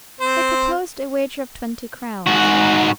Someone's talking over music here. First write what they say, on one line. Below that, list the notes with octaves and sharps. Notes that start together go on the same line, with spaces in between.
They proposed a wager of twenty crowns.
C4 C5
G#2 F#4